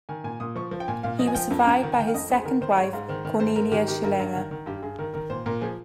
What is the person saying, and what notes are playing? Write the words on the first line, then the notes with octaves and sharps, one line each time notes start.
He was survived by his second wife, Cornelia Schellinger.
D#3 G#5
A#2 G#5
A#2 D#6
F3 C#6
F3
G5
A#2 G#5
A#2 F5
F3 D#5
G#5
F3 G5
F2
F2
D#3
G#5
D#3 G5
F5
F2 D#5
F2 C5
G#4
D#3 A#4
D#3 C5
G#2 C#5
G#2 F5
D#3 C5
D#3
G#2 C5
G#2 A#4
D#3 G4
D#3 G4
G2 A#4
G2
D#3
D#3
G2 G4
G2 G#4
D#3 A#4
D#3 A#4
A#2 C5
A#2 A#4
F3 G#4